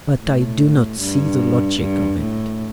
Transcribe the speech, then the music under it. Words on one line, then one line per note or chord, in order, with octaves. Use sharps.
But I do not see the logic of it.
A2
G2
G2
A2